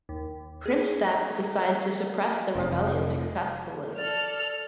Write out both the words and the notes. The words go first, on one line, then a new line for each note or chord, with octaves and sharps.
Prince Thap was assigned to suppress the rebellion, successfully.
D#2
G#4
F1
A4 D5 F6